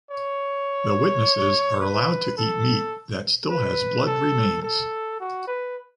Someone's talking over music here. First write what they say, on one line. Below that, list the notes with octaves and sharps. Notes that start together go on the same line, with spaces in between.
The witnesses are allowed to eat meat that still has blood remains.
C#5
B4
A4
B4
A4
A4
F#4
B4